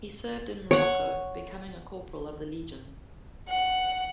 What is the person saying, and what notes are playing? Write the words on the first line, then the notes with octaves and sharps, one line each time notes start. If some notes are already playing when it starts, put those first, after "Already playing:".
He served in Morocco, becoming a corporal of the Legion.
C#5 F#5
F#5